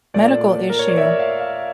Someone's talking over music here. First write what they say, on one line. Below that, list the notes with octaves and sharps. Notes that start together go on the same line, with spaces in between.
medical issue.
A#2 A3 D5
A#4
C#5
D5
E5
F5
F5